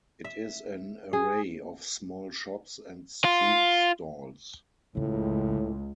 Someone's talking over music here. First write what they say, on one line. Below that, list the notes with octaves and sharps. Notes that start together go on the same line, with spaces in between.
It is an array of small shops and street stalls.
E5
G#4
F4
F1 C#2 A2 C#3